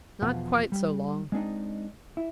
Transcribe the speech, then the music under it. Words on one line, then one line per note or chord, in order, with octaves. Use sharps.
"Not quite so long."
E2 B2 F3 F4 F#5
G3
G#3 C4 D4 D#4
E4